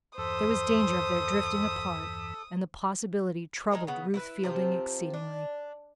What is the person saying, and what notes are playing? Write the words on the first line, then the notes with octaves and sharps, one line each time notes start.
There was danger of their drifting apart, and the possibility troubled Ruth Fielding exceedingly.
E2 G2 E3 A4 C5 D#6
G#3 C4 D#4 A#4
C#3 B3
E4 F#4 B4
C3 F3 C4
D4